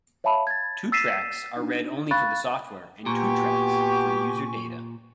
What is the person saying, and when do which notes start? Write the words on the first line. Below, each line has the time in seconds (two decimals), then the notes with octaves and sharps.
Two tracks are read only for the software, and two tracks for user data.
0.24 C#5 E5 F5 A5 B5
0.47 G#6 A6
0.92 E6 A6 B6 C7 D#7 E7
1.57 D4 D#4
2.11 F5 B5 C#6 F#6 A6
3.06 A#2 B3 F#4 G4 G#5 C#6